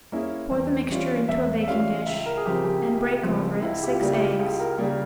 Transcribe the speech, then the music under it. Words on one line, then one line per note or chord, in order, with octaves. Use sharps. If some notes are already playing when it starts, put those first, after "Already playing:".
Pour the mixture into a baking dish, and break over it six eggs.
A#3 C#4 E4 G#4
E2
E3 G3 C#4 F4
E2 E5
E5
E3 G3 C#4 F4 F5
C#2 E5
A#4
G#4
C#3 F3 C4 G4
G4
C#2
C#3 F3 C4
C#2 E4
G4
F4
C#3 G3 A#3
G4
C#2 G#4
A#4
C#3 G3 A#3 A#4